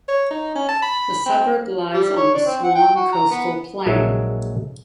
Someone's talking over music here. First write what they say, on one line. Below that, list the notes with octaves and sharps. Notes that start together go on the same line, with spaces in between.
The suburb lies on the Swan Coastal Plain.
C#5
D#4
C#4
A5
B5
C4
G3
C#5
D4
C4
F#5
G5
F#4
A#5
B3
A#1 F#3 G#3 A#4 E5 A5